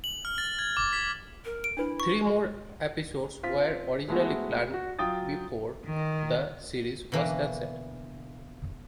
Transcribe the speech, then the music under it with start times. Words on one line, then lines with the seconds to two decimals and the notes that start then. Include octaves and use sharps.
Three more episodes were originally planned before the series was canceled.
0.04 F#7
0.25 F6
0.38 A6
0.59 G#6
0.77 D6
0.93 B6
1.45 A#4
1.64 D7
1.77 D4 E4 B4
2.00 C#6
3.43 C4 F4 B6
4.08 G#3 A3 B3 E4 F#4
4.74 F#4
4.99 F#3 F4 G5 D#6 A6
5.83 D#3
7.12 B2 D3 E3 A#3